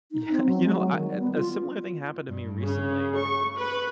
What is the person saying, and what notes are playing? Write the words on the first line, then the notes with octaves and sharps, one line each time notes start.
Yeah. You know, I a similar thing happened to me recently,
D#4
C4
F#3
G#3
F#3
D#3
G3
B3
F4
G2
C#3
C#6
B4